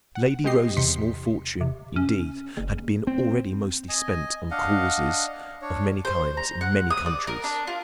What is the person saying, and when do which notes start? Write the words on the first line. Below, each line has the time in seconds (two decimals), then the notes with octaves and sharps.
Lady Rose's small fortune, indeed, had been already mostly spent on "causes" of many kinds, in many countries.
0.15 F#5
0.44 B2 G#3 G4 D#5 C7
0.77 E2 C3 C6 B6 C#7
1.61 C3
1.96 C#4
2.57 F#1
3.07 C4
3.89 D#5 G#5
4.51 D4 D#5 F5 F#5
5.62 D4 C#5
6.05 C5
6.37 A#5
6.61 F#5
6.90 D#6
7.06 D5
7.27 A#4
7.44 D4
7.67 F4